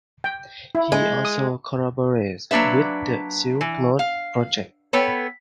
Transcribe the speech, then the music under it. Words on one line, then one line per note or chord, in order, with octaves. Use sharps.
He also collaborates with the Silk Road Project.
G5
E4
G#3
D#6
F#3 A#3 D4 B4 E5
E3
F5
B3 A4 B4 C#5 G5